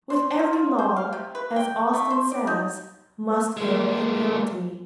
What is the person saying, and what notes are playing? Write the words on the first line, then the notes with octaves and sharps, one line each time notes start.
With every law, as Austin says, must go a penalty.
C5
F4
F4
C5
F5
C3
B4
G5
A3
C5
D5
D#4
G#3 A#3